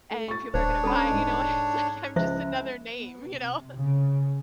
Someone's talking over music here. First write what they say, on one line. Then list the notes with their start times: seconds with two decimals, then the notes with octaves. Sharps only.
and people are gonna buy it," you know, and it's like I'm just another name, you know.
0.11 A3
0.28 C#6 A6
0.54 D#1 D4 C5 C#5
0.83 G3 C#4 A4 C5 A5 B5
1.10 G#2
2.16 C#2 F3 E4 C5 E5
2.97 B3
3.33 C3
3.76 C#3